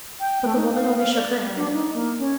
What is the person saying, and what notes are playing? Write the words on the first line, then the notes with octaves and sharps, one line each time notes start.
But the woman only shook her head.
G5
A3
D#4
F5
F5
D5
D4
D#4
A#3
C#4